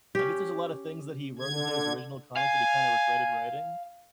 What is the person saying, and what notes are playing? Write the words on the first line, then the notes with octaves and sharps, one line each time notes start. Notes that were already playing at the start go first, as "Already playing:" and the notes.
I guess there's a lot of things that he wrote into his original comic that he kind of regretted writing.
C#4 G4
D3 G#6
F5 G#5